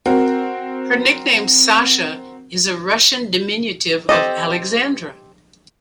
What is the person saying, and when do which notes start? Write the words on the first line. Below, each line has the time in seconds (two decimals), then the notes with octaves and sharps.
Her nickname "Sasha" is a Russian diminutive of "Alexandra".
0.06 C4 F#4 A#4
4.09 C4 G4 A4 D#5